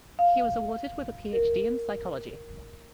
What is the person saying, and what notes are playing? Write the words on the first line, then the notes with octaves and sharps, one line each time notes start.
He was awarded with PhD in Psychology.
F5
A#4